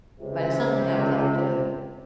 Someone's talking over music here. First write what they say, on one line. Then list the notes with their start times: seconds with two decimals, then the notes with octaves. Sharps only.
but it's something I would like to
0.20 C#2 C3